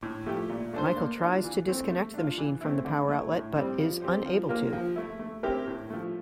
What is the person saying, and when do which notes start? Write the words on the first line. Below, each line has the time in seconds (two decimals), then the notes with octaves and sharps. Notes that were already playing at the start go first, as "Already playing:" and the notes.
Michael tries to disconnect the machine from the power outlet, but is unable to.
0.03 A2
0.26 F3 A3 E4 G4
0.49 A#2
0.73 A3 D4 A4 C5
0.96 A#3
1.20 D4 F4
1.44 E3
1.67 A3 C4
1.91 A3
2.14 D4 F4
2.38 E3
2.61 A3 C4 E4
2.85 D3
3.08 A3 E4
3.32 A2
3.55 G3 C4
3.79 F3
4.02 C4 G4 C5
4.26 F3
4.49 A#3 F4 A#4
4.73 F3
4.96 A3 E4
5.19 A3
5.43 C4 E4 G4 A#4
5.67 A2
5.90 F3 A3